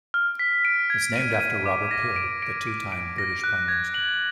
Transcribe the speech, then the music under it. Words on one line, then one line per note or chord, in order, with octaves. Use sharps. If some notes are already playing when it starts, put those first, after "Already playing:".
It is named after Robert Peel, the two-time British Prime Minister.
F6
B6
D7
G#6
D#7
D#7
D6
A#6
D7
D7
D7
D7
A#6
F#6
G#6
F#7